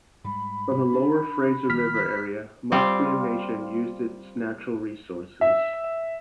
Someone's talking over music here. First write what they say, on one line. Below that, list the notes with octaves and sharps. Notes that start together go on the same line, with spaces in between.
From the lower Fraser River area, Musqueam Nation used its natural resources.
G#2 G3 B5
D4
A#1 D#3 G3 F6 B6
G3 C4 F4 F5 G5
E5